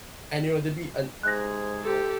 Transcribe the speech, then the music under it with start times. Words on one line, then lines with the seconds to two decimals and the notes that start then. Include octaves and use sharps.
and, you know, to be an
1.23 G#2 C3 G#3 G#4 F#6 A#6
1.83 G4 A4